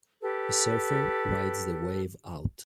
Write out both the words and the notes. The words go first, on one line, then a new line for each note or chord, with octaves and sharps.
A surfer rides the wave out.
G4 A4 B4